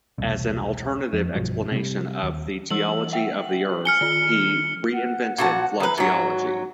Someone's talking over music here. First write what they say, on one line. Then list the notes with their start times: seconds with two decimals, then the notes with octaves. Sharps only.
As an alternative explanation of the geology of the earth, he re-invented Flood Geology.
0.18 E1 C2
1.13 F2
1.35 B1 G2 F3 F#3
1.72 C3 G3
2.23 D#2
2.70 E3 G3 E6 F#7
3.13 E5 F#5 G5
3.85 G#5 F6 C#7 G7
4.01 D#3 F4
4.93 F#5
5.38 A#2 F#4 A5
5.80 E2 B4 A#5
5.98 G#2 F#3 F#4